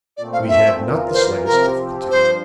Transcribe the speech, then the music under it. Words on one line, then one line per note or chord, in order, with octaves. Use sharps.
"We had not the slightest difficulty."
A#2 A3 C4 D5
F5
E5
E2 E3 A#3 F4 A#4
C5
C3 F3 C4 G4 A#4
G2 F3 C5